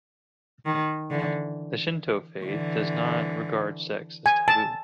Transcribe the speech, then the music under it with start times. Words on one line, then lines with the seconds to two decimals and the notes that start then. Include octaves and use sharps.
The Shinto faith does not regard sex as a taboo.
0.66 D#3
1.10 D3 E3
2.45 D3 E3
4.26 G#5
4.48 A5